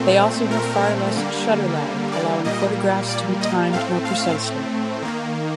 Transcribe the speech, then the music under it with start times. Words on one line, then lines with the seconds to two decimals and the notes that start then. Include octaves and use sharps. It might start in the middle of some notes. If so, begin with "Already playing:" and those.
They also have far less shutter lag, allowing photographs to be timed more precisely.
Already playing: A#2 A3 C4
0.51 A#4
1.15 D3 G3 A#3
2.12 D5
2.44 A#2 G3 A#3 D#5
3.09 D5
3.41 D#5
3.73 A2 A3 C4 F5
4.05 F5
5.02 D#3 A#3